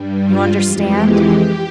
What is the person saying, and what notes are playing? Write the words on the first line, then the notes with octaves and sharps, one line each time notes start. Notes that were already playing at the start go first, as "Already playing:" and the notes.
You understand?
Already playing: G2 G3
F4
F2 E3 G#3 G4
G4